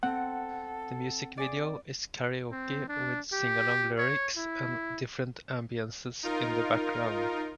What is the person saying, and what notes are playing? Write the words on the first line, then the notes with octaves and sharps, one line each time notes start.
The music video is karaoke with sing-along lyrics and different ambiences in the background.
C4 A4 F#5
G#4 D5
C4
D4
G4
C#5
E4
D#4 F4 A#4